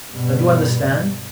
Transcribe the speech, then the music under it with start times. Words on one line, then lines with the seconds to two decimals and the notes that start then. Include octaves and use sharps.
Don't you understand.
0.11 G2 B2